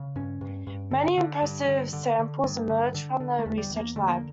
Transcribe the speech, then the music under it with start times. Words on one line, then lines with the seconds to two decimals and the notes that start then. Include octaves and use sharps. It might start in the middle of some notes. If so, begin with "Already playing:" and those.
Many impressive samples emerged from the research lab.
Already playing: C#3
0.16 G2 C#4
0.41 G2
0.67 G2
0.91 D3
1.18 D3
1.42 G2
1.68 D3
1.93 D3
2.19 D3
2.43 G2
2.70 D3
2.94 D3
3.20 D3
3.39 A3
3.46 E2
3.58 G3
3.70 E2
3.77 A#3
3.96 D3 A3
4.08 A#3